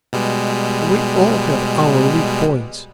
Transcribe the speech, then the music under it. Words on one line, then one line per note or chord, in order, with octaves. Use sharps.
We all have our weak points.
B2 G3 G#3